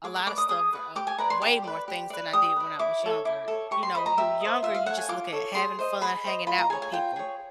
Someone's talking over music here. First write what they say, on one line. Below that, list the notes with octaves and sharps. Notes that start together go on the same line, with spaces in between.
a lot of stuff, uh, way more things than I did when I was younger. You know, when you younger, you just look at having fun, hanging out with people,
G#4 D6
D6
B4 D5 D6
D#6
G#4 D#6
B4 D5
G4 D6
G#5
B4 D5 A#5
C6
G4 D6
B4 D5
G4
B4 D5
G4 D#6
B4 D5
E4 D6
A4 C#5
E4 D6
A4 C#5
G4 C#6
C6
C5 D#5 B5
A#5
G4 E5
C5 D#5
F4 E5
F5
A4 C#5 F#5
G#5
F4 D6
A4 C#5
G#4 C6
C5 D#5
G#4 B5
C5 D#5
F4 B5
A#5
G#4 C#5 G#5
G#5
F4 G5
G#4 C#5